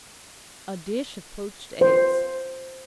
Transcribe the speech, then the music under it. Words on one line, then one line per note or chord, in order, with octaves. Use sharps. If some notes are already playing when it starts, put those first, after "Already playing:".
A Dish of Poached Eggs.
C5